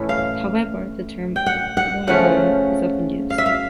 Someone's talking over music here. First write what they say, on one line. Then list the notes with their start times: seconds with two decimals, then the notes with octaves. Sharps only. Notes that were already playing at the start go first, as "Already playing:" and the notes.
However, the term Muldrowan is often used.
Already playing: A2 E3 A3 C#4
0.09 F5
1.36 G5
1.46 F#5
1.77 F#5
2.07 C#3 F3 A3 C#4 F#5
3.30 F5
3.38 E5
3.46 F5